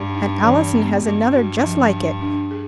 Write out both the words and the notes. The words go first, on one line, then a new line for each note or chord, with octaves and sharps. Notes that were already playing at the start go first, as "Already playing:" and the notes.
And Allison has another just like it.
Already playing: G2 G3
D#4
E3
B3
G2 A#3
F#4
F3
D4
D4
G#4